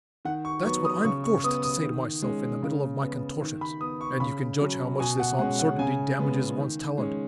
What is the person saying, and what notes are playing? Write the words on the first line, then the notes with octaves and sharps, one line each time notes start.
That's what I'm forced to say to myself in the middle of my contortions, and you can judge how much this uncertainty damages one's talent.
D#3 F#5
C#6
F#3 B3 C#6
D#6
C#3 C#6
C#6
B3 D#6
D#6
D#3
G#3 C#4
C#3
B3
D#3
B5
B3 D#6
C#6
C#3 B5
F#3 C#4
B2 G#5
F#5
G#3 C#4 F#5
F#5
C#3 G#5
G#3 B3
D#3
G#3 C#4